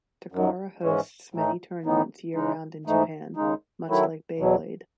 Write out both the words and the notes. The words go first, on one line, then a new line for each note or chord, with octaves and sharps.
Takara hosts many tournaments year round in Japan, much like Beyblade.
F#2 D#3 F#3
G#2 E3 G#3 C#4
A2 E3 A3 D#4
A2 E3 B3 D#4
C#3 E3 G#3 D#4
G#2 E3 A3 D#4
D#2 C#3 G#3 D#4
D#3 F#3 A3 E4
E2 B2 F#3